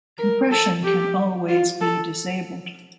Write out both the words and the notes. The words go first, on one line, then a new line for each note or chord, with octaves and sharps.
Compression can always be disabled.
A#4
A4
G4
F4
A4